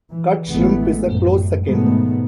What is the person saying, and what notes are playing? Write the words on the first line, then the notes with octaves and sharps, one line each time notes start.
Cut shrimp is a close second.
E3
A1 E3 G#3 A3 B3
F#2 A2
G#2 B2 D#3 F#3 A3 B3